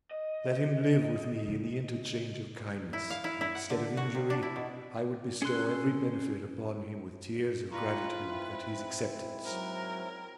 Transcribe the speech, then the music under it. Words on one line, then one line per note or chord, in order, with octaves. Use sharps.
Let him live with me in the interchange of kindness, and instead of injury I would bestow every benefit upon him with tears of gratitude at his acceptance.
D#5
C#3
E4
F5
E4
E4
F#5
D3
F#4
C3
D4
E4
B2
C#4 G#4 A4 C6 F#6
G3 F4 B4 A#5 C#6
G#2 C4 E4
F#3 A#4